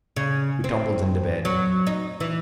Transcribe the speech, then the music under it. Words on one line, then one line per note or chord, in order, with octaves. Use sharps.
We tumbled into bed.
C#3
C4
F#3
D#4
E3